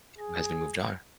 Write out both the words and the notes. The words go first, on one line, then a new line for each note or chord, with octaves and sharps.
you guys have moved on.
G#4